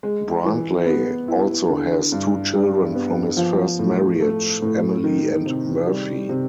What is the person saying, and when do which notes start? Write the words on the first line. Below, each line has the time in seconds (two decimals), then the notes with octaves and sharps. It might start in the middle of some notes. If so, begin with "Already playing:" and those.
Brantley also has two children from his first marriage, Emily and Murphy.
0.03 G#3
0.44 E3
0.86 B3
1.28 E4
1.70 D3
2.12 G2
2.53 G3
2.95 B3
3.37 F3
3.79 A2
4.20 A3
4.62 A2
5.04 D#3
5.45 C3
5.87 G3
6.29 C3